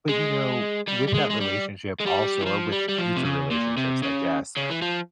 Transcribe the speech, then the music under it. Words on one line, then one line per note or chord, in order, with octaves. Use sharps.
but you know, with that relationship also, or with future relationships I guess,
G#3
G3
G3
G#3
G#3
G3
G#3
G3
E3
F3
G3
G3
F3
C3
C#3
A#2
C3
C#3
C#3
E3
F3